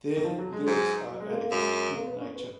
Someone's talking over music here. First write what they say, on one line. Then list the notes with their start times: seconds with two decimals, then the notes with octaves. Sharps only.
Their lyrics are anarchist in nature.
0.17 D#3
0.24 F3
0.38 F#3
0.53 G#3
0.66 G#2 F#3
1.09 F#3
1.20 G#3
1.29 A#3
1.41 A#3
1.51 F#2 G#3
1.94 A#3
2.07 B3
2.21 C#4
2.35 B3